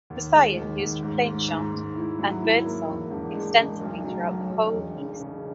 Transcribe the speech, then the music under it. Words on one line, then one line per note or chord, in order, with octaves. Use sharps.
Messiaen used plainchant and birdsong extensively throughout the whole piece.
D#2
G#3
D#2
D#2
G#2
G#2
G#2
G#2
E4
F#3
E4
A#3
E1
E1
G#3
C#3
B1
F#3
B1
B1
E1
C#3
C#3